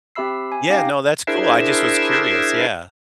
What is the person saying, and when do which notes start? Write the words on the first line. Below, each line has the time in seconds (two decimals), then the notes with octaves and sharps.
yeah, no, that's cool. I just was curious, yeah.
0.15 C4 G4 E5 B5 E6 C7
0.52 G#5
0.69 C#4 D#4 G4 F5 G5 A#6
1.27 D4 E4 G#4 A#4 C5 E5